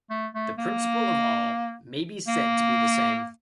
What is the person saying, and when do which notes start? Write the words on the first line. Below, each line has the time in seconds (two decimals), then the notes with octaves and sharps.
The principle of all may be said to be the same.
0.10 A3
0.35 A3
0.58 A#3
2.28 A#3